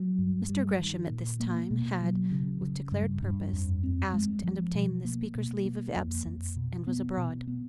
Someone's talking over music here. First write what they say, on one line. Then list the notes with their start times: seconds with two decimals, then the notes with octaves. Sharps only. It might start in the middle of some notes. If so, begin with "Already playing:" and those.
Mr. Gresham at this time had, with declared purpose, asked and obtained the Speaker's leave of absence and was abroad.
Already playing: F#3
0.19 G2
0.49 G3
0.79 D#3
1.09 A#2
1.40 A#3
1.71 B2
2.01 F#3
2.31 C#3
2.62 C#3
2.92 G2
3.22 G2
3.53 F2
3.83 C4
4.14 G#3
4.44 F3
4.74 B2
5.04 A#3
5.35 B2
5.65 A#3
5.96 F2
6.26 F2
6.56 B2
6.87 B3
7.17 B2
7.47 B3